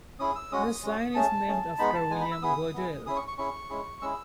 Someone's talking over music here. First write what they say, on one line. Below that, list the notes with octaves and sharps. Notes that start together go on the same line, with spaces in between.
The sign is named after William Goodell.
C#4 E4 G#4 D#6
E6
G#3 C#4 F#4 D#6
G#3 C#4 F#4
A3 C#4 G#4 A5
A3 C#4 G#4
G#3 B3 D#4 B5
A5
G#3 B3 D#4 G#5
B5
E6
B3 E4 G#4 D#6
B3 E4 G#4
C#4 E4 G#4 D#6
C#6
C#6
C#4 E4 G#4 C#6
G#3 C#4 E4 G#4
G#3 C#4 E4 G#4 E6